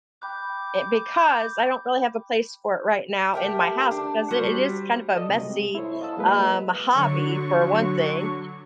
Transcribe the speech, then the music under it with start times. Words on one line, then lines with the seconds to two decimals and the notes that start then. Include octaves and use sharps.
it because I don't really have a place for it right now in my house because it is kind of a messy, um, hobby for one thing,
0.22 G5 B5 D6 F#6 G6
3.34 A3 G4 A#4 G5
3.91 D4
4.31 G3 F#4 C5
5.15 A4 D5 D#5
5.29 C3 F#3 G3 A3
5.43 G#3
5.75 E4 A4 C5 C#5
6.01 D#5 F5 A5 E6
6.17 F#3 G#3 A#3 B4
6.93 D3 F#3 C#6